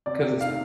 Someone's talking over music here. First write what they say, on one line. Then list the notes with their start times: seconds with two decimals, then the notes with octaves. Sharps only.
'cause it's
0.06 C3 D5
0.23 C3
0.41 D#3 F5